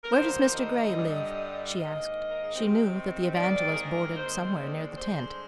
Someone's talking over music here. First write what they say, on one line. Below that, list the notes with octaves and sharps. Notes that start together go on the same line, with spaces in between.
"Where does Mr. Gray live?" she asked. She knew that the evangelist boarded somewhere near the tent.
A#4
D#2 D3 F3 A#3 C5
D#5
G2 D3 G3
G#2 D#3 A#3 D#5
A#4
G#4
C3 D#3 G#3 C4 G4
G#2 D#3 A#3 D5
G4
G#4
A#4
D#2 D#3 G#3 C4 C5
D5
G2 D3 G#3 C5